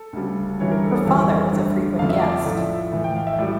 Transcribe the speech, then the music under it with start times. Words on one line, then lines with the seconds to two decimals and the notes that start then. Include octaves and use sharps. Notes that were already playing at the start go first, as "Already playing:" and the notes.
Her father was a frequent guest.
Already playing: A4
0.13 D2 C#3 G3
0.59 G2 E3 G3 C#5
0.71 A#4
0.82 A4
0.95 A4
1.06 F2 E3 G3 G4
1.52 G2 D3 A3
1.99 F2 C#3 F3 A3 F5
2.09 E5
2.20 D5
2.32 E5
2.45 A2 F3 A3
2.91 A2 E3 A3
3.04 G5
3.16 F5
3.27 E5
3.39 A2 G3 D5